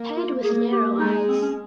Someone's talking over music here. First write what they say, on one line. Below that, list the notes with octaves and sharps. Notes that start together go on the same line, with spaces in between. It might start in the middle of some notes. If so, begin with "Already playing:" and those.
Head with narrow eyes.
Already playing: A#3
F4
A#3 G#4
G4
G#3 D#4
C4
C#4